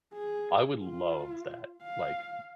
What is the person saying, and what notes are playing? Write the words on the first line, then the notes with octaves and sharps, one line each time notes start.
I would love that, like
G#4
F4
F5